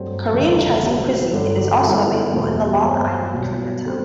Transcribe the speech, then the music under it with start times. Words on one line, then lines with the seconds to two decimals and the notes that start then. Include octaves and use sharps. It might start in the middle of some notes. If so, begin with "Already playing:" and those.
Korean Chinese cuisine is also available in the Long Island Koreatown.
Already playing: G2 F#3 A3 C4 G4
0.32 F#1 E2 D3 G3
0.83 B1 B2 G3 C4 G4
1.33 G2 D3 F#3
1.83 F#2 D3 G3 B3 E4
2.33 E2 B2 A3
2.84 G2 F#3 C4
3.33 B1 B2 G3
3.86 D3 G3 C4